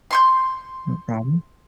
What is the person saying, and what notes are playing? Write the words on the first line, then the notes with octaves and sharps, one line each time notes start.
No problem.
C6 C#6 G6